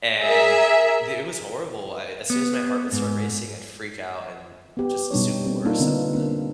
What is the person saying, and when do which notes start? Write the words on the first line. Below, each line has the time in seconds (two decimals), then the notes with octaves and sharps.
and the it was horrible, I as soon as my heart would start racing, I'd freak out, and just assume the worst, and then
0.22 G#4 A#4 E5
2.30 B3
2.92 G#2
4.77 B3 G4
5.10 B2 G3 D4 D#4 C#5
5.46 G3 A#3 C4
5.65 A#3 D4 D#4 F4 A4
5.80 D3 B3 C4
6.13 A#3 C4